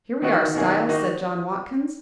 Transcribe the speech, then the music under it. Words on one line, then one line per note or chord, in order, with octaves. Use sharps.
"Here we are, Styles," said John Watkins.
D#3 B3 D#4 F#4
B2 A#3 C#4 E4 G#4
D#3 A#3 D#4 F#4